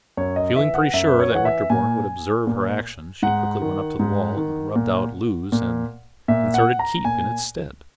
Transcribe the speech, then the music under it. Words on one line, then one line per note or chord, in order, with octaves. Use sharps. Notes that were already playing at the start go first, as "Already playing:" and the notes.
Feeling pretty sure that Winterborne would observe her action, she quickly went up to the wall, rubbed out "lose" and inserted "keep" in its stead.
F#2 C#5
D#5
E3 E5
F#5
F#2 E5
B4
C#5
E3 F#5
E5
A#2 G#5
A#2
G#2 F#5
D#3
G#2
D#3
A#2
A#2
A#2 E5
F#5
A#5
A#2 G#5